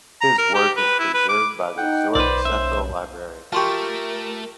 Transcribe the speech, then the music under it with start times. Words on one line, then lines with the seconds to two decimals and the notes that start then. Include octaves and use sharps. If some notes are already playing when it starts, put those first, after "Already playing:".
His work is preserved by the Zurich Central Library.
0.21 A#5
0.38 A#4
0.55 G4
0.77 B4
0.99 E4
1.14 B4
1.29 D6
1.77 D#4 F#5 G5
2.15 B1 B4 C5 D5
2.45 D#3 A#3 C#4 E5
3.53 A3 F4 G4 A#4 A5 C6 C#6